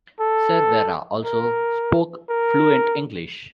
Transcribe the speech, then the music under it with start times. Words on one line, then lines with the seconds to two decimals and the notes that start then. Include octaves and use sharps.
Cervera also spoke fluent English.
0.20 A4
1.25 A#4
2.30 A#4